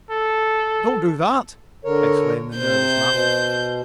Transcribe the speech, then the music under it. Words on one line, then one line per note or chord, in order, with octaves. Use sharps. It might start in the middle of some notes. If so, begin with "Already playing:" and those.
"Don't do that!" exclaimed the nervous man.
A4
D3 A#4 C#5
C3 C5 G6
B2